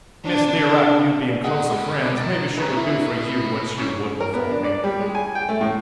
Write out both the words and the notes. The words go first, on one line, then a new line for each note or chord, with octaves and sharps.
Miss Learight and you being closer friends, maybe she would do for you what she wouldn't for me.
D4
D#3 G#4 D#5 F#5
G3 G#3 B3
G5 A#5 A6
G#3 C#4 B4 A#5
E4 B4 D#5
G#2 C#4
A#4
B3
D4
D5
G3
G#3
G#5
G5
A3
A2